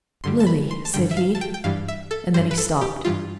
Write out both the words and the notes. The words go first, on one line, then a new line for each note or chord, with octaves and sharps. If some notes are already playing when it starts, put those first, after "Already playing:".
"Lily," said he; and then he stopped.
G2 D3 G3 C6
A5
B5
C6
A5
G2 D3 G3 G5
E5
F5
A5
G5
G5
G2 E3 G3 F5
E5
A4
G2 E3 G3 C5
B4
A4
G4
G2 E3 G3 F4